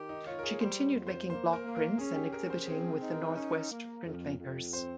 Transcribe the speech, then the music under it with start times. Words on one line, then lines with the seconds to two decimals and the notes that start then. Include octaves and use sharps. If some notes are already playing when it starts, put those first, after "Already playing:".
She continued making block prints and exhibiting with the Northwest Printmakers.
Already playing: D#3 G4
0.09 D#4
0.26 F4 C#5
0.39 A#4
0.43 G#4
0.61 G3 C5
0.95 F2
1.07 C5
1.29 A#3 C5
1.53 A#4
1.64 A#3
1.76 A#4
1.98 C#4 G#4
2.16 G4
2.27 G#4
2.32 C#4 A#4
2.50 C5
2.67 C4 G#4
3.01 D#4
3.13 A#4
3.36 C#4
3.71 A#3
4.05 F2
4.38 F2
4.73 C4 C5